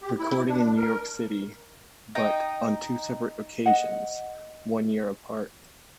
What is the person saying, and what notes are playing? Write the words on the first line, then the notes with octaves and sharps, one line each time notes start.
Recording in New York City, but on two separate occasions, one year apart.
G4
E4
D4
A#4
D#4 D#5 G5
D#5 F#5